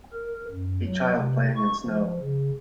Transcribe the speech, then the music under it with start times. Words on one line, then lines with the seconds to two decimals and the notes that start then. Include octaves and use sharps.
A child playing in snow.
0.13 A#4
0.51 F#2
0.86 F#3
1.15 C3
1.56 C#6
1.86 F3
2.21 C#3